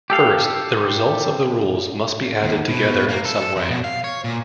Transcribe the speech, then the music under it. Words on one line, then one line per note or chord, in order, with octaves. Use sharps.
First, the results of the rules must be added together in some way.
G4 A4 F5
D#2
B2
A#3
A4
A4
F2
B2
F5
C#5
A#2